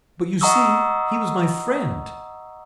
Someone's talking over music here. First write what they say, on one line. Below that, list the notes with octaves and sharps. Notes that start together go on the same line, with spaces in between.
"But, you see, he was my friend."
D#5 F#5 A#5 C#6 D#6 E6